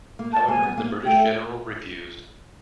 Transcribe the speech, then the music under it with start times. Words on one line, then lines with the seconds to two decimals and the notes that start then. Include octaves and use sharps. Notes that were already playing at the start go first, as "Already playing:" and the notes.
However, the British general refused.
0.19 A#3
0.33 A5
0.48 A#3 G#5
0.63 B3
0.77 A#3
1.06 A3 G5